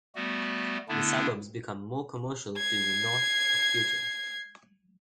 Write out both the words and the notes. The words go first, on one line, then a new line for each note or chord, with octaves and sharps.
The suburbs become more commercial to the north of Houghton.
G3 A3 B3 F#4
D3 A3 B3 D4 E4
G#6 C7